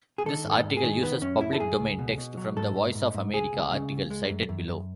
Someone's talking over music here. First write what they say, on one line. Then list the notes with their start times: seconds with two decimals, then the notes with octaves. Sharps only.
This article uses public domain text from the Voice of America article cited below.
0.18 G#4
0.26 D#3 A4
0.45 G#2
0.51 A4
0.64 G#2
0.77 G#4
0.83 D#3
1.03 D#3 B3
1.21 F#2 C#4
1.41 F#2 E4
1.53 A4
1.60 F#2 G#4
1.79 C#2
1.99 B2
2.18 B2
2.37 F#3
2.56 G#2 A4
2.76 G#2
2.95 G#2
3.14 G#2
3.33 C#2 G#4
3.53 C#2
3.72 C#3
3.91 C#2
4.10 G#3
4.29 F#2
4.49 F#2
4.68 F#2